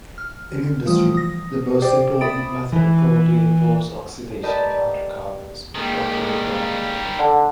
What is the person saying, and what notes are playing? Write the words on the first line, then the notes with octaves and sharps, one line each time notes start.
In industry, the most important method probably involves oxidation of hydrocarbons, often with air.
F6
E3 F3 G3 A3 F4 D#6
D#6 A#6
G4 C5 D5 G5 D6
E5 B5 D#6 A6 D7
E3
G4 A#4 B4 D5 D#5 A5
D#3 G3 G#3 A#3
D3